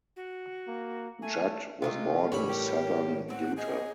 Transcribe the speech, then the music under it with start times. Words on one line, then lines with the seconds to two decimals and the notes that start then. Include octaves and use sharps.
Judd was born in southern Utah.
0.16 F#4
0.68 A#3
1.22 A3 G#5
1.82 C3 A3 F4 D#5
2.32 A1 G2 G3 C#5 B5
2.49 G4 A#4
3.30 C4 F#5
3.58 G#4 D#5